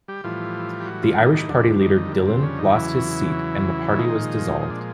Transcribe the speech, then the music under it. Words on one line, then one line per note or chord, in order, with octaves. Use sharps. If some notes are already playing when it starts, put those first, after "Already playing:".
The Irish Party leader Dillon lost his seat and the party was dissolved.
G3 G4
A2 E3 F3 G3 F4
G4
F#3 F#4
F3 F4
D#3 D#4
D#3 D#4
F2 D3 G3 D4
D#3 D#4
D#3 D#4
A#3
C3 C4
C#3 C#4
D#3 D#4
E2 C#3 E3 F#3 E4
A#2 D#3 F3 G#3 D#4
D#4
D4